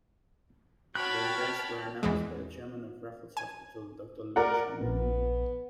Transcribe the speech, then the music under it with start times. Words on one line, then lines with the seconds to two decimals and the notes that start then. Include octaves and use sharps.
Their deaths were announced by the chairman of Raffles Hospital, Doctor Loo Choon Yong.
0.95 F#4 C#5 G5 A5 B5 F6 F#6
2.03 E2 E3 G#3
3.37 G#5
4.36 A#4 D5 F#5
4.81 A#1 B3